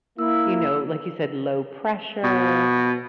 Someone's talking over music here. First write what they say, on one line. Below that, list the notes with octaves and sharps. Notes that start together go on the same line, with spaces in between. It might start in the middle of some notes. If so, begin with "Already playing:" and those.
you know, like you said, low pressure,
A#3 E4 E6
B2